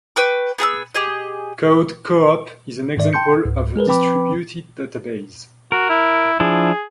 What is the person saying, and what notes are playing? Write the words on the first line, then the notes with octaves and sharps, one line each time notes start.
Code Co-op is an example of a distributed database.
B4 G5 C#6 D6
B3 G#4 A#5 E6
G4 G#4 D#5
G#2 D#3 D5 E5
G5 A5 C6 G6 C#7
C#2 G#2
G#3 G#4 A#4 B4
F3 C4 B4 G5 B5 D6
F#4 A#4
E4
F3 D4 E4 G#4